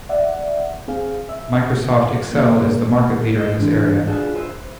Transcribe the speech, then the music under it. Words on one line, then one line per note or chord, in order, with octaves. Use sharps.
Microsoft Excel is the market leader in this area.
D5 E5 F#5
C4 G#4 F5
E5
C3 D#3 A#3
E4 C5 D#5
C#3 E3 C4 D4
D4 F4 F#4 G#4 A4 B4
B4 C5 E5